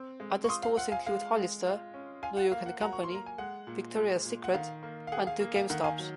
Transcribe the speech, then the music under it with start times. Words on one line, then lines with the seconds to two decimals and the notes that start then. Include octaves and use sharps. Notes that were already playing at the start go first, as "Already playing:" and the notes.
Other stores include Hollister, New York and Company, Victoria's Secret, and two GameStop's.
Already playing: C4
0.20 G#3
0.44 C#6
0.48 F4 C6 D#6
0.63 F5
0.77 F4 F#5
0.92 F5 G#5
1.06 G#3 F5
1.36 G#3
1.65 F4
1.94 C#4
2.22 F4 F5 G#5
2.37 F#5
2.52 A#3 F5
2.66 F#5
2.80 F#3 F#5 A#5
2.93 C#6
3.03 C6
3.10 A#3 A#5
3.26 G#5
3.38 G#3 F#5
3.67 A#2
3.96 G#3
4.25 A#2
4.44 F#5
4.54 D#3 F5
4.83 A#3
5.07 F5
5.12 G#4 F#5
5.27 F5
5.40 A#3
5.56 F5
5.70 D#3 F#5
5.84 F5 G#5
5.99 F#3